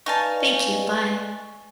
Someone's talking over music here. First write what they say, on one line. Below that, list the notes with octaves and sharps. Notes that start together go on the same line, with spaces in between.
thank you. Bye.
D#4 B4 D5 D#5 F5 G#5 A5 C#6